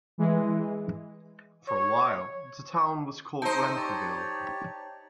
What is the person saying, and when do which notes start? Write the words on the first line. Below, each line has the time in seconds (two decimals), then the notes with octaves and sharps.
For a while, the town was called "Lampreyville".
0.18 E3 G#3
1.68 C#5
3.42 D#4 A4 C5 D#5 A5 A#5
3.76 G4 C#5 D5